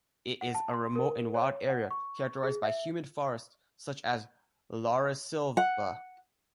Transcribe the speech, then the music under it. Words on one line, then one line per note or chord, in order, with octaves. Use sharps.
It is a remote and wild area characterized by humid forests, such as "laurisilva".
F#5
A5
C6
A#4
C#5
F#5
C#6
G#4
E5
F#5